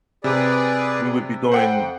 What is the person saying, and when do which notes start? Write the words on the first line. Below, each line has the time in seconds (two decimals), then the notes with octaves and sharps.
we would be going
0.24 C3 G#4 B4 D5
1.52 A4 C5 F#5 G5
1.73 F2